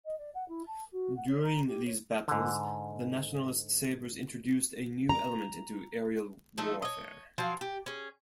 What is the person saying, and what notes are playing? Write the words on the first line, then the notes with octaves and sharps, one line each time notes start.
During these battles, the Nationalist Sabres introduced a new element into aerial warfare.
D#5
D5
F#5
E4
A5
F#4
F#5
C#5
A#5
G4
C#5
G#2 D3
A#5
F3 A3 D#4 A4
C#5 D#5
F3 F#3 F5
G4
C#4 G#4